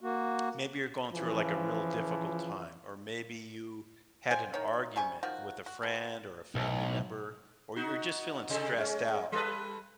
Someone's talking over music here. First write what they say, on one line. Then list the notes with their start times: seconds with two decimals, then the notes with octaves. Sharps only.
maybe you're going through, like, a real difficult time, or maybe you had an argument with a friend or a family member, or you're just feeling stressed out
0.01 A#3 F#4
1.13 C#3 E3 F3
4.31 C5 F5 G5 G#5
4.54 D#3 A#4 C#5
4.96 C3 G3 G#5 C#6
5.23 D#3 F3 F#4
5.66 F#4
5.83 B2
6.55 B1
7.76 D#4 F#4
8.50 C3 G#4 A4
8.77 G#3 C#4
9.32 G3 A4 B4